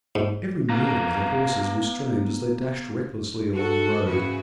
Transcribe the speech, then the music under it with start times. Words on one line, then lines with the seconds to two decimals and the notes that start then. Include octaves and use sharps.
Every nerve of the horses was strained as they dashed recklessly along the road.
0.15 G#2
0.70 B3 B4 F5 A#5
3.54 F#4 A4
4.06 G#2 C#3 E3 F#4 B4